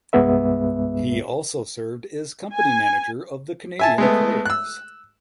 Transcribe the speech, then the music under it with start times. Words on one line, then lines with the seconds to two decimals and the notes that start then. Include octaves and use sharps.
He also served as company manager of the Canadian Players.
0.13 C2 G2 G#3 B3 B4 E5
2.53 G#5
3.79 E5 G#5 A5
3.98 G#3 A3 B3
4.46 E6 F#6